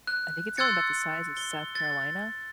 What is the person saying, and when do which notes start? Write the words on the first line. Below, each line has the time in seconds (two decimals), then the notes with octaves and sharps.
I think it's only about the size of South Carolina,
0.07 F#6
0.57 C6 E6 F#6 G#6 A6 C#7
1.37 G7
1.75 A6